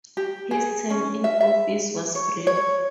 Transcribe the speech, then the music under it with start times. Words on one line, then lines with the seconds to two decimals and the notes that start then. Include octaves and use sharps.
His term in office was brief.
0.17 G4
0.51 G#4
0.90 C#4
1.24 E5
1.41 E5
2.15 C#5
2.47 C#5